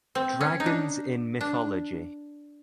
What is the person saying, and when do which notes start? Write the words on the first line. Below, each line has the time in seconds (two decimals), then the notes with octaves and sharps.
Dragons in mythology.
0.15 C4
0.41 C#4
0.60 D#4
0.66 D4
1.41 D4